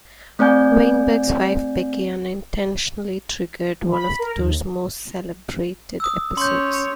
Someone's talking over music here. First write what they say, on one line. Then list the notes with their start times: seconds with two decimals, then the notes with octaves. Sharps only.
Weinberg's wife Becky unintentionally triggered one of the tour's most celebrated episodes.
0.39 A3 C4 D5 G#5 G6
3.92 B5
4.19 A#4
4.38 D#2
6.00 D#6 E6
6.37 C#4 C#5 C6 G6